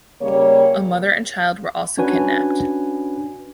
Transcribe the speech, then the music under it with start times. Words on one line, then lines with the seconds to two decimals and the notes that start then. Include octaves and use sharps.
A mother and child were also kidnapped.
0.21 C#3 G3 A#3 C#5
1.97 C#4 D4 F#4 B4 G#5